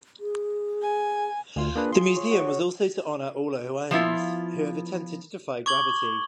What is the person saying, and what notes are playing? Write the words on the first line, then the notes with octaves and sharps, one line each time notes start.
The museum also was to honor all Ohioans who have attempted to defy gravity.
G#4
G#5
D2 F4 F5 G#5
A#3 D4 G#4 B4
C6
C#5
F#4
F3 B3 E4 F4
C#6 D6 G#6 F#7 G7